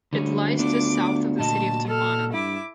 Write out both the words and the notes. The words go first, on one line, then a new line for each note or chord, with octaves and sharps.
It lies just south of the city of Tijuana.
D2 D3 G3 C#4
B3 D4 F4 D6
A#2 F#4 D#5 A5
A4 F6
G2 E4 D6